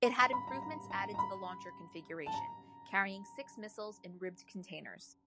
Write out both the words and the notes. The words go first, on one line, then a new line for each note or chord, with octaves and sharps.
It had improvements added to the launcher configuration, carrying six missiles in ribbed containers.
B5
A#5
B5
A#5
A#5
A#5
A#5
B5
A5
A#5